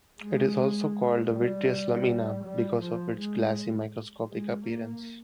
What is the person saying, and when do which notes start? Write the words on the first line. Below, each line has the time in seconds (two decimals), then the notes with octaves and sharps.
It is also called the "vitreous lamina", because of its glassy microscopic appearance.
0.20 G#3
1.32 G3
2.43 G3
2.81 F3
3.18 G#3
4.29 G#3
4.65 A#3